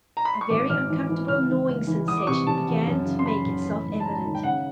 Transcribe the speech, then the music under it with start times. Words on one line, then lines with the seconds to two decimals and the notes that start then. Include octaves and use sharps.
A very uncomfortable gnawing sensation began to make itself evident.
0.17 A#5
0.25 B5
0.34 C6
0.41 C#6
0.50 G#1 D6
0.69 G#1 F6
0.90 E3
1.09 E3
1.28 C#2 F6
1.49 E3
1.68 C#2
1.87 E3
2.07 E2 D#6
2.17 D6
2.27 C3 C#6
2.47 C3 A5
2.67 E2
2.87 F#2
3.05 C#3
3.19 C6
3.26 C#3 B5
3.45 F#1
3.65 A1
3.85 G#2
4.00 A5
4.04 G#2 A#5
4.14 A5
4.25 D#3
4.35 G5
4.43 C#3 F#5